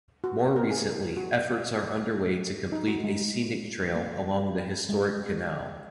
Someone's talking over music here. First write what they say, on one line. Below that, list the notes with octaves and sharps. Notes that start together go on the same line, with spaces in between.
More recently, efforts are underway to complete a scenic trail along the historic canal.
F#4
G#4
A#4
G#4
F#4
D#4
F#4
G#3
A#3
G#3